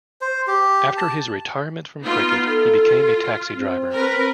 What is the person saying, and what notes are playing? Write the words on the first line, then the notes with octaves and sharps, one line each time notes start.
After his retirement from cricket, he became a taxi driver.
C5
G4
A5
B3 D#4 F4
F4 A4
C4
A#4 B4